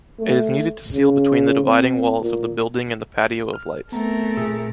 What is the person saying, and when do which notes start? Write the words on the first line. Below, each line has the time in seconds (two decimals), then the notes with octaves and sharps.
It is needed to seal between the dividing walls of the building and the patio of lights.
0.19 A3
0.93 C#3
1.64 C4
2.21 A#2
3.54 F6
3.92 A3 B3 C4 A#4 A#5
4.37 A#2 G#4 E6